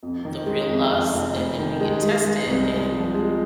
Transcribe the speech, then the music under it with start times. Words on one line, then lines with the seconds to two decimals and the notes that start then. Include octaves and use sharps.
the real us and then we get tested in
0.03 F2
0.25 D#3
0.47 G#3
0.69 F2
0.92 F2
1.14 F1
1.36 F1
1.58 D#3
1.80 G#3
2.03 G#3
2.25 G#3
2.47 C2
2.70 G#3
2.92 F3
3.14 G#3